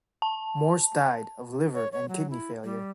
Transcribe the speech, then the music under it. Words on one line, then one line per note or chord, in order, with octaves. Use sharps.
Moores died of liver and kidney failure.
A5
C#5
C#5
F#3
E4
G3